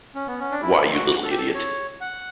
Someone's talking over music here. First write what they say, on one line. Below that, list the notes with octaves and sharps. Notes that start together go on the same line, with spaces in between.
Why, you little idiot!
C#4
B3
C#4
D4
E4
F#4
A4
G4
A4
C#5
F#5